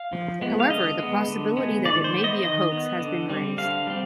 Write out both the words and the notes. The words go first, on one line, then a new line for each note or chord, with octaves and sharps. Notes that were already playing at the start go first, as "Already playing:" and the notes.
However, the possibility that it may be a hoax has been raised.
Already playing: F5
F3
G#3 B3
F5
D3 D#5
G#3 B3
D3
G#3 B3
D#3 D5
C5
B3
D#5
D#3 D#5
B3
D3
G3 C4
D3 F5
G3 C4